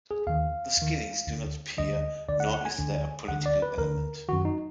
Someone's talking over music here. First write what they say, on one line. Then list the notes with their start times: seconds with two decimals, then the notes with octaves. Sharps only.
The "Skinnies" do not appear, nor is there a political element.
0.11 G#4
0.27 D#2 D#3 F5
0.77 D#2 D#3
1.27 D2 D3
1.78 D2 D3 D#5
2.28 D2 D3 D5
2.40 F#5
2.54 F#5
2.65 G#5
2.79 D2 D3
3.28 D2 D3 F#5
3.46 D5
3.62 B4
3.78 D2 D3 A#4
4.28 F#2 D#3 F#4
4.45 D#4